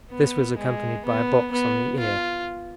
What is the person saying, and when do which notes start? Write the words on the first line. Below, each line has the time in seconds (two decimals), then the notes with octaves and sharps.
This was accompanied by a box on the ear.
0.11 B3
0.58 G#3
1.05 B3
1.52 B3
1.99 F4